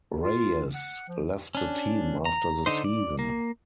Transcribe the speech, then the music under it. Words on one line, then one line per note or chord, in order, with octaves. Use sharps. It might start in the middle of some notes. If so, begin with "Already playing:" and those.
Reyes left the team after the season.
F4
F#5
F3
C#4 D4
A#5
D3 D#4 C5
D5
A#3